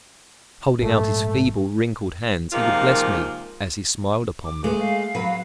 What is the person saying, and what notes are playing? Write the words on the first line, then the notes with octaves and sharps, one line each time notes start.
Holding out his feeble, wrinkled hands he would bless me as he smiled upon me.
A#1 G#2 A3
C3 D#3 F3 G#3 A#3 F4
D6
G#3 A3 B4
F5
F#3 B4